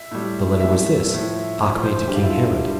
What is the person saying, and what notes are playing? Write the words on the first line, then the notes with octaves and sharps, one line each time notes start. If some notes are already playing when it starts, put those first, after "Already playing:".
The letter was this: 'Acme to king Herod.
Already playing: E5
A2 G3
A2 G3 E5
A2 F3
A2 F3
C5
G2 D3 G3 G4
F4
E4
F4
D3 G3